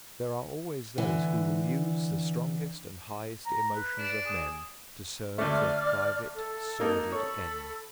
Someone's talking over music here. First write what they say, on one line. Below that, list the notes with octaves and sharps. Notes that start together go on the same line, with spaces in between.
There are always those who will use the strongest and highest emotions of men to serve their private, sordid ends.
D3 E3
A#5
B4
D4
G#4
D2 A3 D5 D6 F6
A4
A#3 D#4
A4 C#5 B5